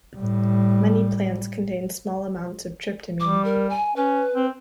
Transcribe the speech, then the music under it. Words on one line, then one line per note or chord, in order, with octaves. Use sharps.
Many plants contain small amounts of tryptamine.
A2 G3
G3 D6
A#4
G#5
C#4 B4
C4